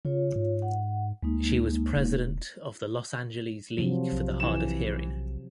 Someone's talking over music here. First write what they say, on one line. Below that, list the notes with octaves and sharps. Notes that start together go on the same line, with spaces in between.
She was President of the Los Angeles League for the Hard of Hearing.
C#3 F4 C#5
G#2
F#5
D2 G#3 A#3 D#4
D#1
C3 F3 F#3
B1
E3 E7